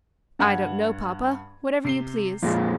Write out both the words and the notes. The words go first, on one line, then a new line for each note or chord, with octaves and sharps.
"I don't know, papa; whatever you please."
G2 F#5 G#6
C3 C7 G7
F2 A#2 G#3 F4